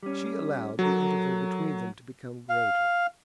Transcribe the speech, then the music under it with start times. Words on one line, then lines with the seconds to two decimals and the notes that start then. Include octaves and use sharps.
She allowed the interval between them to become greater.
0.03 G3 C#4
0.79 F#3 F#4 A4 A#4
2.49 F5